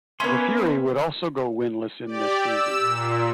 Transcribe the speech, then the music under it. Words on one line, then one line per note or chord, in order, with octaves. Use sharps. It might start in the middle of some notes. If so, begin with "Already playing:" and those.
The Fury would also go winless in this season.
A#3 B3 C#4 B4 C#5 E5 C6
G4 D5
E6
A#2